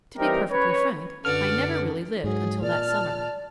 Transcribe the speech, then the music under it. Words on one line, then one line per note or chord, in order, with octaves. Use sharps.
To be perfectly frank, I never really lived until that summer.
E3 G3 C4 D#4 G4 A#4
C#4 B4 C#5
F#2 D3 D4 F#4 B4 D5 F6
G#2 F#3 G#4
A#2 D5 A5 F6